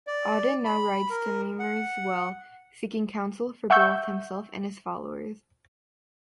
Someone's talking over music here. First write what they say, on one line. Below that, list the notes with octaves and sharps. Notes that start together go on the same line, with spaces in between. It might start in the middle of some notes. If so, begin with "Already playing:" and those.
Odin now rides to Mimir's Well, seeking council for both himself and his followers.
D5
B5
A#4
F#5
E5 F#5 C#6 E6 G6